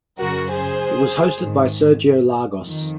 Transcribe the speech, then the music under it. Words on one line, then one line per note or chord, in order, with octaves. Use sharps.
It was hosted by Sergio Lagos.
F#2 C#3 F#4 A#4
G#4 C5
G#2 D#3
F2 D#3